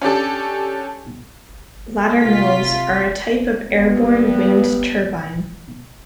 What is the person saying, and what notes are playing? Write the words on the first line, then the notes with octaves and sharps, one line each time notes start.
Laddermills are a type of airborne wind turbine.
C#4 D4 G4 A4
C3 F4 B6
G2 B3